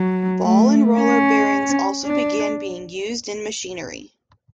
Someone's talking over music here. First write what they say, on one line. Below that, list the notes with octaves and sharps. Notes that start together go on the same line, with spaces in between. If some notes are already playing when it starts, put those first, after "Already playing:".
Ball and roller bearings also began being used in machinery.
Already playing: F#3
A3
C#4
D4